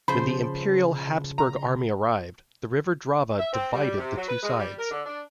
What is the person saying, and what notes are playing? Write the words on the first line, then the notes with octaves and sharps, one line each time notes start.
When the Imperial Habsburg army arrived, the River Drava divided the two sides.
C#3 F3 C5 B5
A#5
E5
C4
G3
C3
F#3
B4
G#3
G3
A#4
D3
D4